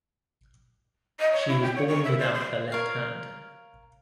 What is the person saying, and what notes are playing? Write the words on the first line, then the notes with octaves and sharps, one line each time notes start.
She was born without her left hand.
D#5
C#5
E4
G5
C#5
C#6
E5
C5
C6
A#4 C#5 F5